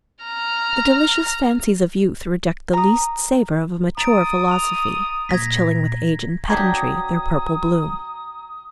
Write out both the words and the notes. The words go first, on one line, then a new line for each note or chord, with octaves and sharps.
The delicious fancies of youth reject the least savor of a mature philosophy, as chilling with age and pedantry their purple bloom.
A#5 F6
A#5 D#6
A#5 D#6 A6 D7
F7
A#2 G#6 A#6 B6
F#3 D4 G4 A#5 D#6 G#6